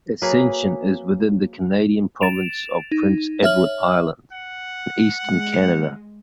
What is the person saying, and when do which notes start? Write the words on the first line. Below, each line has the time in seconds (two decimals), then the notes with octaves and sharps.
Ascension is within the Canadian province of Prince Edward Island, in Eastern Canada.
0.22 F#3 A#3 G#4 B4
2.21 A6 D7 E7 F7
2.92 D#4
3.43 C#5 E5 F6 F#7
4.33 F#5
5.25 G#3